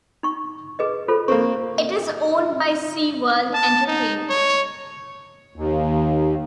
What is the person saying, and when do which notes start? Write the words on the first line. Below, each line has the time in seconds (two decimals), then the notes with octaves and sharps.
It is owned by SeaWorld Entertainment.
0.23 D#4 C#6
0.79 G#4 B4 D#5
1.08 F4 A4 C5
1.28 A#3 C4 C#6
3.54 A5
3.87 D#4
4.30 C#5
5.56 D#2